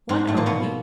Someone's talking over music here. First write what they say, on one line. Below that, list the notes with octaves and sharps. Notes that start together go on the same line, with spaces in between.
"One only?"
G#2 G#3
A2 A3
A#2 A#3
B2 B3